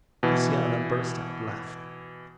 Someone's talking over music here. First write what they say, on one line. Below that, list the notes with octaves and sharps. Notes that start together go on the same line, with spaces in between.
Josiana burst out laughing.
B2 E3